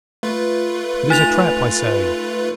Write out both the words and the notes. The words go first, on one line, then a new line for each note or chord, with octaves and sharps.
It is a trap, I say.
A3 F4 B4
D#4 A6 F7